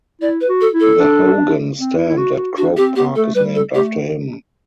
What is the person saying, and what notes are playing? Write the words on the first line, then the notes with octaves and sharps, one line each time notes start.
The Hogan stand at Croke Park is named after him.
E4 D5
B4
F#4
A4
E4
A4
D4
C4
E4
E4
F#4
F#4
D4 F#4
C4 G4
B3 G4
A3 A4
G3 B4
A4
A3 G4